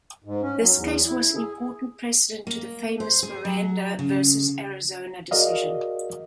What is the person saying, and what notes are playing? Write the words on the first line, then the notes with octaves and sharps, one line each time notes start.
This case was an important precedent to the famous "Miranda versus Arizona" decision.
G#2
C#4
F#3
E2
E4
G#4
A#3
C5
G#4
F#3
C#3
F#4 G#4 A#4 D5 D#5 F5